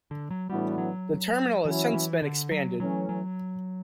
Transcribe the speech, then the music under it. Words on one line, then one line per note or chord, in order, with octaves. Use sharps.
The terminal has since been expanded.
D3
F#3
A2 E3 G3 B3 D4 F#4
F#3
E3 F#3 C#4 E4
E3
D3
F#3
E3 F#3 A3 C#4
F#3